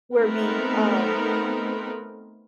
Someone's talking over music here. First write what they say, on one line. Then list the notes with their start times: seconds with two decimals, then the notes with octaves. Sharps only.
we're being, um,
0.17 A3 B3 C4 D#4 A#4 B4